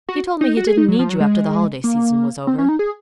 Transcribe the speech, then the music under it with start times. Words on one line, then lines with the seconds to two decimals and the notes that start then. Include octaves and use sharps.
He told me he didn't need you after the holiday season was over.
0.09 F#4
0.41 D#4
0.57 F#4
0.67 G#4
0.77 D#4
0.88 F#3
0.99 F3
1.09 F#3
1.20 G#3
1.84 A#3
2.47 C4
2.58 C#4
2.69 D#4
2.79 G#4